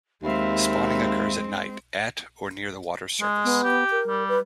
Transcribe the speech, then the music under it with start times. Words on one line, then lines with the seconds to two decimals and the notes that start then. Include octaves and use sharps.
Spawning occurs at night, at or near the water's surface.
0.23 D#2 G#3 C4 E5 F5 B5
3.21 G#3
3.44 B3
3.64 G4
3.91 A#4
4.08 G3
4.29 B4